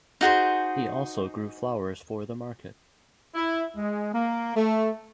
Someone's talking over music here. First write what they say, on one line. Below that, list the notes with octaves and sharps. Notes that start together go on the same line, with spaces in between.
He also grew flowers for the market.
D#4 F#4 G#4 C5
E4
G#3
A#3
A3